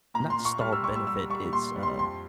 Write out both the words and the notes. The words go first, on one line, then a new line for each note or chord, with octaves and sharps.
not stalled benefit. It's, uh
A#2 A#5
C6
A#2
C#6
G3 F6
E6
G3 C#6
E6
G3 E6
G3 C#6
A#2 C6
G3
C6
F2 C6